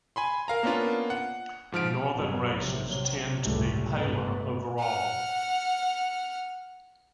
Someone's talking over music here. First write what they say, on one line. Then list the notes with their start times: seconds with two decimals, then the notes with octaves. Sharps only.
Northern races tend to be paler overall.
0.16 G#5 B5 C6
0.48 A#4 F5 A#5
0.63 A#3 B3 C#4 D4 F4
1.10 F#5
1.72 G#2 F3 F6 D7
2.14 F#2 B2 F#3 G3
2.54 A#1 C3
2.90 C3 F#3
3.42 G1 C#2 A2 C3 G3 A3
3.93 G1 C3 A3 B3
4.78 F#5 F6